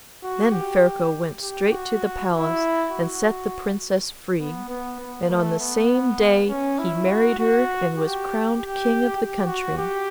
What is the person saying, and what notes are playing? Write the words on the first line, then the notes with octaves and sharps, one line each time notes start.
Then Ferko went straight to the palace and set the Princess free, and on the same day he married her and was crowned King of the country.
F#4
G4
G4
F#4
E4
F#4
B3
B3
B3
A3
B3
C#4
E4
F#4
F#4
G4
G4
G4
F#4
G4